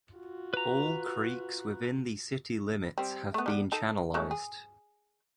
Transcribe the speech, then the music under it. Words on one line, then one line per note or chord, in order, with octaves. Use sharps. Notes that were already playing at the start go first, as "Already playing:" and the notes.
All creeks within the city limits have been channelized.
F4 F#4
B4 A#5
G3 C4
A3 B3
G3 A3 B3
D#4 A4
F#3 G#3 A3
G#4